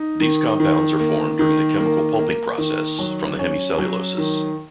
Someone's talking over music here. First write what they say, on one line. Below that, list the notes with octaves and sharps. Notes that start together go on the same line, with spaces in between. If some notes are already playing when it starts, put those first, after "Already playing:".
These compounds are formed during the chemical pulping process, from the hemicelluloses.
Already playing: D#4
D#3
D#3
A#3
D#3
A#3
A#3
D#3
F#3
C#4
F#3
D#3